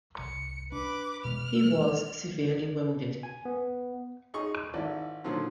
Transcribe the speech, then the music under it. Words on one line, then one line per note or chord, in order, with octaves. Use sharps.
He was severely wounded.
C2 C#7
D4 B4 D6
B2 G#3 B3 F6
G#3
G#5
B3
D#4 G#4 C#6
G#1 E4 D5
A#2 D3 D#3 F3 F#3